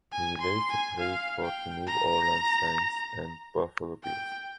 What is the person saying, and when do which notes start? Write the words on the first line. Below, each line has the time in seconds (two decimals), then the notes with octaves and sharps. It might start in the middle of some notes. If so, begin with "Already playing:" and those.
He later played for the New Orleans Saints and Buffalo Bills.
0.13 G#5
0.41 C6
0.71 G#5
1.00 F5
1.43 G5
1.87 A#5
4.04 G5